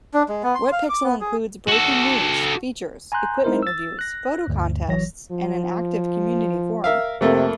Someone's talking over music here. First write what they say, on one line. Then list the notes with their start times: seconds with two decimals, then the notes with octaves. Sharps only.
Wetpixel includes breaking news, features, equipment reviews, photo contests, and an active community forum.
0.14 D4
0.29 G#3
0.43 B3
0.55 C6
0.72 F5
0.89 D6
1.04 B3
1.21 G#4
1.68 F#4 A4
3.12 G#5 A#5 C6 F#6 G6
3.44 G#3 C4 D#4 E4 A#4 C5
3.63 E6 A6
3.99 F#6 A#6
4.47 D2 G2
4.88 A1 E3 F#3 C#5 A#6
5.32 F3
6.84 A#4 E5 F5
7.21 F2 C3 A3 A#3